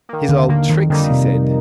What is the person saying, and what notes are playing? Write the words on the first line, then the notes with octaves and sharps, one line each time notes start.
"His old tricks," he said.
D#3 A#3
D#2 D3
D3 D#3 A#3
F2 D#3
D3 D#3 G3 A#3 D#4
C3